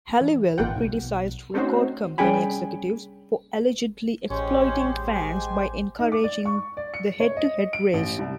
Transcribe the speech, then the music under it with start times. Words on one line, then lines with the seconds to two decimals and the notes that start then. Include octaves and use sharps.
Halliwell criticised record company executives for allegedly exploiting fans by encouraging the head-to-head race.
0.21 E3
0.58 G#1 A#2 E3 F4 F#5 G5
0.76 B1
1.54 A3 C4 C#4 D#4 F#4 C5
2.18 G3 C#4 G#4 G5 G#5 B5
4.30 A1 G#3 C#4 G4 C5
5.15 G#5
5.99 D#4
6.12 D6
6.24 D5
6.45 C#6
6.77 D5
6.94 C#7
7.20 C#5
7.37 D#5
7.73 D7
7.94 A1
8.19 C2